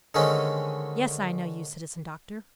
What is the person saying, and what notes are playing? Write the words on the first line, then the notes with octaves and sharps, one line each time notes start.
"Yes, I know you, Citizen Doctor."
D3 D#3 G#3 A3 C4 C#4